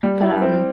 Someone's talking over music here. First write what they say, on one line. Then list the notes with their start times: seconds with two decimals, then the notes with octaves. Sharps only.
but, um,
0.03 G3
0.22 E4
0.41 C4